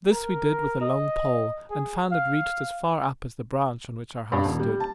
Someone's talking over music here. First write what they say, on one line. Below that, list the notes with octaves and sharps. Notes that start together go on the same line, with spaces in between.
This we did with a long pole, and found it reached as far up as the branch on which our house stood.
A#4
D#5
G#4
F5
G2
D#1
G3
A5